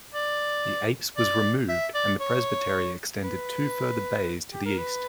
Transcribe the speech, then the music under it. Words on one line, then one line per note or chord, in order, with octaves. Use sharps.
The apse was removed and the presbytery extended two further bays to the east.
D5
D5
E5
D5
C#5
B4
G4
A#4
B4